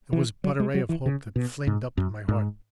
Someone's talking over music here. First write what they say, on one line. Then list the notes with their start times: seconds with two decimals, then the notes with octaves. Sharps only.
It was but a ray of hope that flamed up in my heart.
0.13 E3
0.44 F#3
0.60 G#3
0.74 F#3
0.89 E3
1.06 C#3
1.36 B2
1.67 G#2
1.97 F#2
2.28 G#2